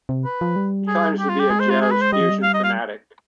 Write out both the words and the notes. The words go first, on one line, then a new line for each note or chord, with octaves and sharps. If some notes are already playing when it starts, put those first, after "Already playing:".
He claims to be a "jazz fusion fanatic".
C3
B4
F3
G3
G#4
G4
F4
G4
G#3 G#4
C5
F4
G#4
B4
C5
G3 D#5
F3
G3
F5
D#5
F5